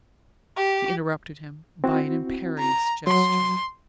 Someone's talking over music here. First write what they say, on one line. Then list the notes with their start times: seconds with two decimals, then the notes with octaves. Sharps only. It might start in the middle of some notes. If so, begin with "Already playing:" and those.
She interrupted him by an imperious gesture.
0.57 G4
1.84 C4 E4 F#4
2.58 A#5
3.07 F#3 C6